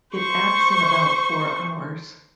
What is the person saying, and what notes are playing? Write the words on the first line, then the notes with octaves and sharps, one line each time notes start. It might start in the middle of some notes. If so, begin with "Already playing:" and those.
It acts in about four hours.
C5 C#6